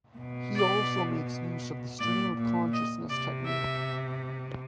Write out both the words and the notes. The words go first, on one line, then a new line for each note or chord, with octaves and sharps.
He also makes use of the stream of consciousness technique.
B2
D5
A#2 D5
A#2
D#5
C3 D5
E5